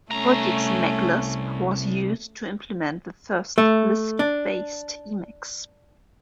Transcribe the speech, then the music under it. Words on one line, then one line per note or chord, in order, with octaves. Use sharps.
Multics Maclisp was used to implement the first Lisp-based Emacs.
C2 A3 C#4 A#5
A3
D4